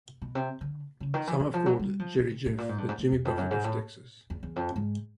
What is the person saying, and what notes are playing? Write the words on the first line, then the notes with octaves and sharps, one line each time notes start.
Some have called Jerry Jeff the Jimmy Buffett of Texas.
B2
C3
D3
C#3
D#3
E3
E3
F3
F#3
G3
F3
E3
A#2
A2
A#2
G#2
G2
G#2
A2
E2
F2
F#2
G#2
A2
E2
E2
F2
G#2